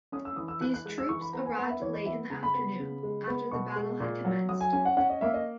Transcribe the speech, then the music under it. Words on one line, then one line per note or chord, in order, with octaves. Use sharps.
These troops arrived late in the afternoon, after the battle had commenced.
C#4 D#6
E6
E3 D#6
E6
E3 F#6
F#6
G#3 F#6
E6
E3 C#6
B5
B3 A#5
G#5
B3 F#5
E5
E3 C#5
D#5
B3 E5
C#3 A#5
B5
B3
C#3
G#3
B3
B2 C#6
G#3
A#2
F#3
F#3 D#6
G#5
C#4 G#5
F#5
C#4 F#5
D#5
A#3 E5
D#5